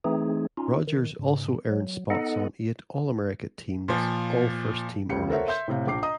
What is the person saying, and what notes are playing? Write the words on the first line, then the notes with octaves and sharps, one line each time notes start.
Rogers also earned spots on eight All-America teams, all first-team honors.
E3 A3 C4 D#4 G#4
C#4 D#4 F4
D#3
G#2 C#3
F#3
B3 D#4 A4 D#5 F#5
A#2 F3
C#2 C#3 G4 C#7
A4 A#4 C5 C#5 E5 F#5
E5 C6 G6
A2 C3 F5
A#1 D6 C7
D#5 A#5 D#6